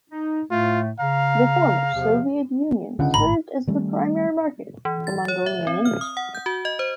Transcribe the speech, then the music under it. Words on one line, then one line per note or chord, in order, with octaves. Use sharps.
The former Soviet Union served as the primary market for Mongolian industry.
D#4
A2 A3 F4
C#3 F5 A#5
E2 C3 F3
C#2 D3 D4 F#5
G#1 A2 A#5 B5
D#3 G3 A3 C#4
E3
A6
C#5
E5
C4
F6
D#6
F#5
G6
F#4
D#5
C5